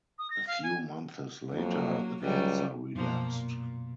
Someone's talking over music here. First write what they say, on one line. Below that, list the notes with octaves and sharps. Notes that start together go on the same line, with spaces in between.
A few months later the cancer relapsed.
D#6
A#6
F5
G#5
F2 F#3 A#3
C#2 F#3 G3 A3
F#2 B2 F3 A#3
A#2